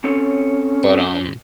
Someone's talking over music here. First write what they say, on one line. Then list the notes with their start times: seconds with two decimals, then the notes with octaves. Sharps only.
But, um,
0.04 C4 C#4 A4 C#5